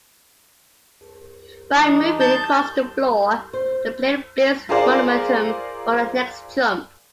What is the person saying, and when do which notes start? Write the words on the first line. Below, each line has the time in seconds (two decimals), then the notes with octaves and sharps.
By moving across the floor, the player builds momentum for the next jump.
1.75 E3 D4 D#4
2.20 A5 G6
3.53 C5
4.69 F4 G#4 A#4 C5 D5 F5